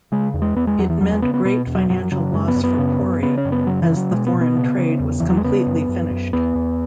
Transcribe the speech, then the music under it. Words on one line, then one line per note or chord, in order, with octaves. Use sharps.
It meant great financial loss for Pori as the foreign trade was completely finished.
C#3 G#3
E2
G#3
E2 B3
G#3
E2 F#3
E3
E2 F#3
G#3
C#3 B3
B3
B2 B3
E2
F#3
F#2 F#3
C#3 F#3
F#2 G#3
B3
F#2
B3
C#3
F#2
C#3 B3
C#4
F#2
B3
C#3 F#3
E3
C#3
F#3
B2 G#3
B3
B2
B3
C#3
C#3
E2
E2 E3
F#3
G#3
C#3 B3
F#2
F#2
F#2
E2 B3
E2